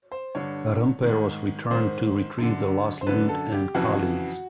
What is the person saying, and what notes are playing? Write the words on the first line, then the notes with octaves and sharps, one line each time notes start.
Garimpeiros returned to retrieve the lost loot and colleagues.
C5
G2 D3 C#5
G#2 D#3
G#2 D#3 C5
F#2 D3
C5
F#2 D3 B4
A4
G4
F2 C#3 E3 F#4